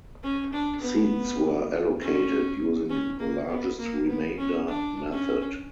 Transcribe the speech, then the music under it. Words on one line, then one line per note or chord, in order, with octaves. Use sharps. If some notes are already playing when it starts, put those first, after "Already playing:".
Seats were allocated using the largest remainder method.
C#4
D4
B3
C#4
C#4
A#3
B3
A#3
B3
C#4
D4
C#4